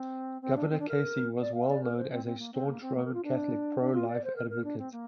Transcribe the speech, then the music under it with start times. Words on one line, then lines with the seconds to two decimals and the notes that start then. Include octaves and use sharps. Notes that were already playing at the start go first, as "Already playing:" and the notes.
Governor Casey was well known as a staunch Roman Catholic pro-life advocate.
Already playing: C4
0.42 C4
0.56 D4
0.70 C4
0.79 D4
0.89 A#4
1.41 D5
1.54 F5
1.69 D5
1.83 A#4
1.97 C5
2.11 C4
2.25 C4
2.39 A#3
2.53 C4
2.67 A#3
2.81 C4
2.95 A#3
3.05 A#4
3.14 F4
3.24 D4
3.80 D4
3.93 F4
4.08 D5
4.24 C5
4.36 A#4
4.50 A#4
4.64 D4
4.78 C4
4.92 A#3